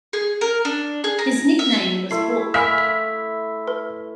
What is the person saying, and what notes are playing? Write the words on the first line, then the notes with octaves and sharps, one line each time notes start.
His nickname was "Book".
G#4
A#4
D4
G#4
A#5
E5
A3 E4 C6 C7
E5 F5 G#5 B5 F6 B6
B4